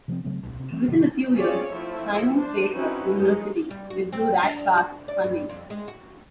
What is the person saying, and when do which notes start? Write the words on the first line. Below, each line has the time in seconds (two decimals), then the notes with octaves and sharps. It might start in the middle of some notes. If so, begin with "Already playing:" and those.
Within a few years, Simon Fraser University withdrew Rat Park's funding.
0.08 C3 F3 G3 C4
0.24 C#3 F#3 A3 C4
0.43 D1 B1
0.59 C3
0.72 E3 G#3 A3 C4
0.88 G2 B2 D3 F3
1.33 C4 C#4 F4 G#4 C#5 D5
1.71 F3 A3 C4 E4 E5
2.36 D4 C5
2.74 C4 C#4 D#4 E4 F#4 B4
3.16 F#3 G#3 D#4
3.71 G3
3.90 F#4
4.13 C4
4.43 D4
4.78 F#4
5.08 D5
5.24 G2
5.49 F2
5.70 G#3
5.88 F#4